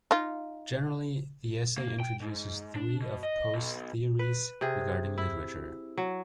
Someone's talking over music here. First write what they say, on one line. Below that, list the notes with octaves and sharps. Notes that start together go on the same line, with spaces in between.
Generally, the essay introduces three of Poe's theories regarding literature.
D#4 F4
A#3
G5
G#2
D4
B2
D#5
B1
B4
C3 G#4
E4
F#3